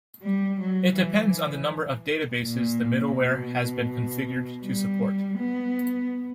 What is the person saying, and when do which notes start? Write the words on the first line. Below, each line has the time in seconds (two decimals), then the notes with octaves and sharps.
It depends on the number of databases the middleware has been configured to support.
0.22 G3
0.60 F#3
0.96 E3
2.43 A#2
3.17 B2
4.65 G3
5.38 B3